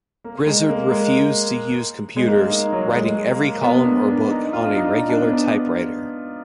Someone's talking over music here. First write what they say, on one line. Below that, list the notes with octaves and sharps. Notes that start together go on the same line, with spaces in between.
Grizzard refused to use computers, writing every column or book on a regular typewriter.
A#3
G#3
A#3
G#3
G#3
A#3
D#4
F#3
G#3
A#3
B3
D4
D4
D#4
F4
D4
D#4
D#4
D4
B3
D4